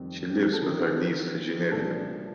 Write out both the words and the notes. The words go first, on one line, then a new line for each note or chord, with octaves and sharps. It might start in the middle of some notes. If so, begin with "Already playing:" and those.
She lives with her niece Geneviève.
Already playing: F2 D#3 G3 C4
A4
D3 F3 C4 D#4 A#4
C2 A#2 F3 A3 D4 A4